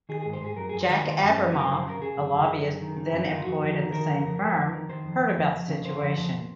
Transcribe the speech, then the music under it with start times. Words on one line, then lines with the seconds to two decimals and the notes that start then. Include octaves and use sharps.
Jack Abramoff, a lobbyist then employed at the same firm, heard about the situation.
0.09 D#3 G#4
0.20 G#4
0.26 G#2
0.33 C5
0.41 G#2 G#4
0.56 F#2 A#4
0.69 F#2 G#4
0.81 C5
0.90 D#3 C#5
1.05 D#3 C5
1.21 F#2
1.28 C#4
1.36 F#2
1.53 F#2 C#4
1.59 A#4
1.65 C5
1.69 F#2
1.78 C5
1.85 C#3 A#4
2.01 C#3 G#4
2.17 F#2
2.33 F#2
2.50 F#2
2.65 F#2
2.81 D#3
2.97 D#3
3.13 F#2 C#4
3.25 F#2 D#4
3.35 F4
3.44 F2 F#4
3.61 F2
3.77 D#3
3.92 D#3 A#4
4.09 F2
4.25 F2
4.41 F2
4.57 F2
4.73 D#3
4.89 D#3 C5
5.04 F2
5.20 F2
5.37 F2
5.53 F2
5.68 C#3
5.85 C#3 C5
6.01 F2
6.17 F2